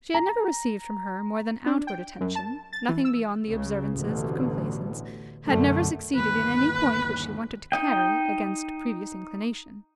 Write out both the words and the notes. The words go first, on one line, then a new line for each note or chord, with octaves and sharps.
She had never received from her more than outward attention, nothing beyond the observances of complaisance; had never succeeded in any point which she wanted to carry, against previous inclination.
A#5
D4
G5
F#2
A5
A6
E3
E6
C#2 C#3
A1 D2 B2
B1 F#2 D3 A3
G1 D#2 B4
D#4 D#5 G5